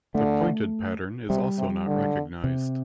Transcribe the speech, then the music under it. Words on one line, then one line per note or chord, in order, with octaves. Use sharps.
The pointed pattern is also not recognized.
D3 A3
C3 G3
C3
D3
C3